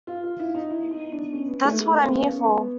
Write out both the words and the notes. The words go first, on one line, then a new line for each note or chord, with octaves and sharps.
That's what I'm here for.
F4
F4
E4
D#4
E4
D#4
D4
C#4
B3
A3
A3
A#3
B3
C#4
B3